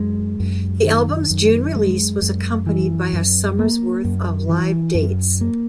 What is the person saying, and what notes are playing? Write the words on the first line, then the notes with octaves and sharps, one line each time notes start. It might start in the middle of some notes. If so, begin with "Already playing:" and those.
The album's June release was accompanied by a summer's worth of live dates.
Already playing: F#2 G#3
F#2
D#3
F#2
G#3
F#2
E3
F#2
A#3
F#2
E3
F#2
A#3